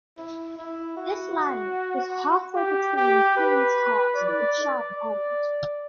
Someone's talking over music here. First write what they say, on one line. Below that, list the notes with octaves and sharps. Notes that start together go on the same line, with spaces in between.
This land was halfway between Kingshurst and Shard End.
E4
E4
F#4
G4
G4
B4
D5
D5